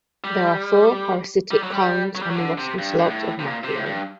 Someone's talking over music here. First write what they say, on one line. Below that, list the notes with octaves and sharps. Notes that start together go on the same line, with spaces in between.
There are four parasitic cones on the western slopes of Makian.
G3
G3
F#3
G3
F#3
G3
F#3
D3
C3
G2
G2
A2
C3
A#2
C3
A2
G2